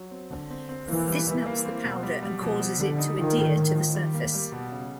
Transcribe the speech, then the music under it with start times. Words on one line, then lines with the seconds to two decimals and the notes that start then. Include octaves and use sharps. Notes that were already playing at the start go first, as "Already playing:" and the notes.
This melts the powder and causes it to adhere to the surface.
Already playing: F#3
0.11 C4
0.31 D3
0.50 C4
0.69 C4
0.88 E3 A#3
1.07 G3
1.27 G3
1.46 A#3
1.65 C4
1.84 B2
2.03 G3
2.23 G3
2.42 B2 F3
2.60 G3
2.79 D3 G3
2.98 D#4
3.18 D#3 F3
3.37 A2
3.56 A2
3.75 F3
3.95 G3
4.14 A#3
4.34 G3
4.52 B2
4.72 C#3